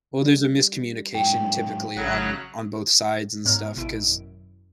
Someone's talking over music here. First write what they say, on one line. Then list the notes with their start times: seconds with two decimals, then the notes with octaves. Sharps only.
Well, there's a miscommunication typically on on both sides and stuff, 'cause
0.23 G3
1.15 G#2 F#3 G#3 G5
1.96 A1 C#3 F#3 C#4 F#4 F#6
3.45 G#2 B3 C#5 A#5 F6
3.77 G#1 B2 E4 D7
4.07 F#2